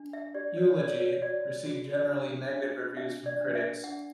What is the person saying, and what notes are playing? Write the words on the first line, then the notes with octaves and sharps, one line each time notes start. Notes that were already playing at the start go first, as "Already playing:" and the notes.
"Eulogy" received generally negative reviews from critics.
Already playing: D4
E5
G4 D5
C#5
C#5 D5
C#5
F#4 D5
F#4
D4
D4
D4 E5
D5
D4
E5
D4 F#5